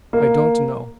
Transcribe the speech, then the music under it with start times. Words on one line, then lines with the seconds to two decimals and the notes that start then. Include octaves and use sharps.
'I don't know.
0.13 A#3